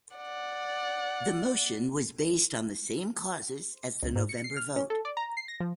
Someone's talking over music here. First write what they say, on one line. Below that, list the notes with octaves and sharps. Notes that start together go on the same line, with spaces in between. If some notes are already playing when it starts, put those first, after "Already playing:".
The motion was based on the same causes as the November vote.
D5 F#5
C#2
G#2
C#7
C7
F6
C#4
A4
D5
A#5
C7
A#6
F3